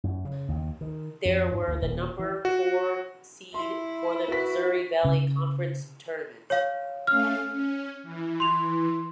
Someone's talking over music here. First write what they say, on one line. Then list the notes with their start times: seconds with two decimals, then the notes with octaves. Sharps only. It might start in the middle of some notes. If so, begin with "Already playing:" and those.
They were the number four seed for the Missouri Valley Conference Tournament.
0.04 F#2
0.25 C#3
0.48 D#2
0.81 D#3
1.25 F2
1.52 G#2
1.68 D2
1.82 D#1
2.19 E3
2.45 F#4
3.54 E4 C6
4.28 F#4 B4 B6
5.05 C#3
6.50 C#5 F5
7.07 A3 C#4 F5 F6
7.52 C#4
8.03 E3
8.40 C6 F7